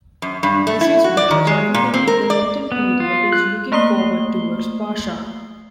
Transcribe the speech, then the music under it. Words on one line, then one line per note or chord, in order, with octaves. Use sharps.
This is because everything in the Lenten period is looking forward towards Pascha.
F#2
G2
A3
E4
F#4
D5
D#3
G#3
A#2
C4
A#4
D5
B3
F4
F#6
A3 A#3 A#5 D#6 C7 G7